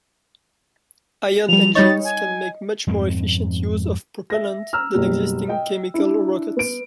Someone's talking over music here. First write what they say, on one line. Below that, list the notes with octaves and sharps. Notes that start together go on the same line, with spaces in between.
Ion engines can make much more efficient use of propellant than existing chemical rockets.
F3 G3 F7
G3 D#4 C#5 D#5 A6
G#5
F2 G#2 G#3 C4
E5 A#6
A#5 E6 F6
F#1 B2 G3
D#5 G5
D4 E4
B3 D7